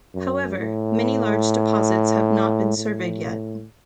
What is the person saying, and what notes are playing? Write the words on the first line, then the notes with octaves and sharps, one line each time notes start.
However, many large deposits have not been surveyed yet.
F#2
A2
A2